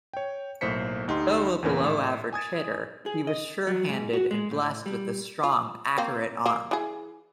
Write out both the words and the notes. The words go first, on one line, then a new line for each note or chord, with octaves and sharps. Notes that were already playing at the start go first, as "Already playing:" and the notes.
Though a below-average hitter, he was sure-handed and blessed with a strong, accurate arm.
C#5 G5
B1 A2 A#3 C5 B6 C#7
D2 D#4 G4 C6
E2 A#2 E3 C#4 A#4 G#5
A2
G#5 D#6 G#6 A6
G#4
D#5
F#3
G#2
F#4
G#3
A2
G3
F4
A#3 C4
A#3
E3 G#4